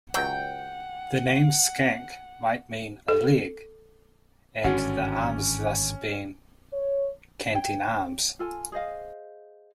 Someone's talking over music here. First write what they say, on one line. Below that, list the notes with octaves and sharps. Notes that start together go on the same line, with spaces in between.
The name Skanke might mean "a leg" and the arms thus being canting arms.
C#2 F#3 F#5 G5
A4
G#1 G2 D3 C#4 F#4 F#5
C#5
C#5 G5
F4 A4 G#5
G#4 C5 D#5 F5